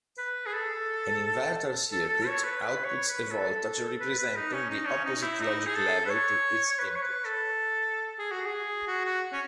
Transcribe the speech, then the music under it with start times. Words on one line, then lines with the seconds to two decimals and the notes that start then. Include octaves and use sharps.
An inverter circuit outputs a voltage representing the opposite logic-level to its input.
0.18 B4
0.46 G#4
0.53 A4
1.92 A4
2.09 A4
2.27 C#5
2.44 B4
2.62 B4
2.85 C#5
3.08 B4
3.31 A4
4.00 B4
4.18 B4
4.36 D#4
4.53 C#4
4.70 D#4
4.87 C#4
5.05 D#4
5.23 E4
5.40 D#4
5.67 G#4
5.75 A4
6.05 B4
6.10 C#5
6.71 C#5
6.79 B4
6.96 C#5
7.02 B4
7.25 A4
8.19 G#4
8.31 F#4
8.46 G#4
8.88 F#4
9.05 F#4
9.32 C#4